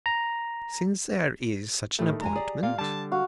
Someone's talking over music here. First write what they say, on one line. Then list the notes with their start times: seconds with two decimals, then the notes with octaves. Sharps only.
"Since there is such an appointment."
0.06 A#5
1.99 A2 D#3 A3 G4
2.21 G3 G#3 G#5 A#5
2.36 G4 G#4 D5
2.63 A#2 F5
2.78 D3 G3 A5
3.12 F#4 F5